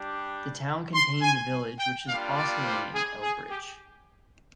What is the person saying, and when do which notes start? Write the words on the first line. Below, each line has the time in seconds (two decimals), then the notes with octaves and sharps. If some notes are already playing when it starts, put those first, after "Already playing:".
The town contains a village which is also named Elbridge.
Already playing: G3 D4 G4
0.94 C6
1.22 G#5
1.79 G5
2.07 G3 A#3 D4 F4 F5
2.36 D5
2.64 C5
2.93 G#4
3.22 G#4
3.49 G4